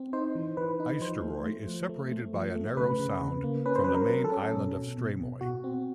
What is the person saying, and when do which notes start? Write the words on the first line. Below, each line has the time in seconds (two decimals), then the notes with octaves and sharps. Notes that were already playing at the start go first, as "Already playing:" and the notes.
Eysturoy is separated by a narrow sound from the main island of Streymoy.
Already playing: C4
0.13 D#4 C5
0.35 E3
0.57 E3 B4
0.80 D#4
1.01 F3 C5
1.23 A3
1.46 A3
1.67 F3
1.89 A3
2.11 A3
2.33 F3
2.56 A3
2.77 C#3 B4
2.99 C#3
3.21 C#3
3.44 A#3
3.66 C#4 B4
3.76 C5
3.84 F#3 B4
3.95 A#4
4.09 F#3
4.24 A4
4.32 C#4
4.54 B2
4.76 B2
4.98 B2
5.20 B2
5.41 B2 F#4
5.64 C4